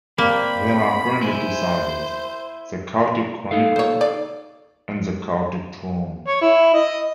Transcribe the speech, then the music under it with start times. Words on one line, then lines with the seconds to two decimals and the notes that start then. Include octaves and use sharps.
There are currently two sagas: "The Chaotic Chronicle" and "The Chaotic Throne".
0.18 A#3 C4 D5 G5 B5
1.21 E4 C5 G#5
3.51 D#4 A4 F5
3.76 C5 C#5
4.01 D5
6.27 C#5
6.41 E4
6.74 D#5